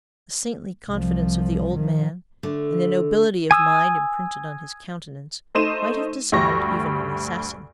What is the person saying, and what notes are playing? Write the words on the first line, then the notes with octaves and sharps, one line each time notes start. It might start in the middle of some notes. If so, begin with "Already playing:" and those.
The saintly confidence of the old man, and the nobility of mind imprinted on his countenance, might have disarmed even an assassin.
C2 F3
D#3 F3
D3 A3
G#5 D#6 E6
A3 D#4 C5 D#7 E7
D2 G2 G4 C#6 A#6